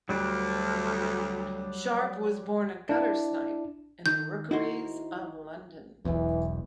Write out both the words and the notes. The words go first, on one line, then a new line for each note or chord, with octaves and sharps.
Sharpe was born a guttersnipe in the rookeries of London.
D2 F#3 G3 D4
D4 E4
D#3 G6
D#4 E4 F#4 C5
E1 B1 E2 E3